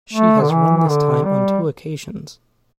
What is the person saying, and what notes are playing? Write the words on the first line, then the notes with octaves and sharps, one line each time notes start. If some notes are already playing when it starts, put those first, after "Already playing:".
She has run this time on two occasions.
A3
D3
E3
E3
D3
G3